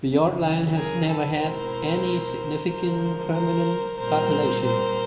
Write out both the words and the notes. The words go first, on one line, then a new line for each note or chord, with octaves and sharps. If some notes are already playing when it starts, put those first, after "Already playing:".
Fiordland has never had any significant permanent population.
F#2 C#3 E3
G#4 A#4
A4 B4
B2 G#3 C4 E4 A#4 C5
D3 F3 G#3 A#4 C5
A#4 C5
A#2 G3 C4 A#4 C5
A#4 C5